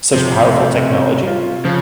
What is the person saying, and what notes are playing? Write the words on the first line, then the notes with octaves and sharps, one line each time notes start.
such powerful technology
C3 F3
A3
C#4
F4
C#3 F3